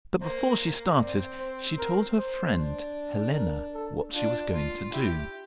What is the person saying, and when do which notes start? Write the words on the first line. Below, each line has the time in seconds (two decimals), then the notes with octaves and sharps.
But before she started, she told her friend, Helena, what she was going to do.
0.22 A#3 C5
1.00 C4 D5
1.39 C5
1.78 A#4
2.18 C5
2.57 D4
3.36 A#4
3.75 A4
4.14 D4 F4
4.53 F4
4.93 E4 G4